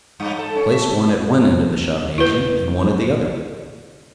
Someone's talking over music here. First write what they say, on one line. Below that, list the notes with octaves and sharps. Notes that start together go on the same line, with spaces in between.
Place one at one end of the shopnasium and one at the other.
G2
A4
C#4
E5
E4 B4